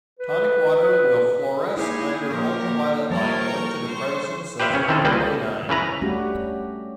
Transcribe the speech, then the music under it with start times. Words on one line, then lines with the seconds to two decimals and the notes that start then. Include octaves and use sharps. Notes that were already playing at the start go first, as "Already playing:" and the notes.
Tonic water will fluoresce under ultraviolet light, owing to the presence of quinine.
0.19 B4
1.77 A#3 D#4 E4 G4 G#4
2.30 A#2 F3 G4 A#4
2.64 A#3
3.10 F3 G3 A#4 C#5 G5 A5
3.41 C#6
3.85 C5
4.60 G4 B4 C5 E5 F5 G5
4.74 C#3 C#4
4.88 C3 D#3 E3 C4 G#4 A4
5.05 C#2 G3 A#3 B4 C5 D#5
5.69 C#3 E3 B4 A#5
6.01 G3 A3 C#4 D4 F#4 G4